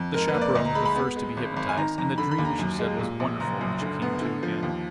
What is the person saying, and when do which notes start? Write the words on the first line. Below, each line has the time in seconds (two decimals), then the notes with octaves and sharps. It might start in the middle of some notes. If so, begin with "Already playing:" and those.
The chaperone was the first to be hypnotised, and the dream, she said, was wonderful, when she came to again.
Already playing: F2
0.14 G#2 A#4
0.28 B4
0.34 A#3
0.41 D5
0.55 D2 D#5
0.65 A#5
0.75 G#3 B5
0.86 B5
0.96 B3
1.16 G#3
1.37 G#1
1.57 G#1
1.69 G#5
1.77 D#3 A#5
1.98 F2 A#5
2.18 D3 B5
2.31 B5
2.38 D#2
2.45 A#5
2.59 F#2
2.79 G#3
2.99 A#2
3.20 A#1
3.40 F#1 A#5
3.61 F#2
3.81 D3
4.02 B3
4.22 D3
4.43 F3
4.63 D#2